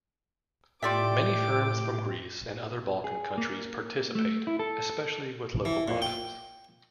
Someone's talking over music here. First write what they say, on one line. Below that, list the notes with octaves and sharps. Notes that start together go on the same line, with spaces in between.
Many firms from Greece and other Balkan countries participate, especially with local products.
A2 F4 G4 D5 E5 G5 D6
G#4
A#3
A3
E4
A4
E3
A#2
G5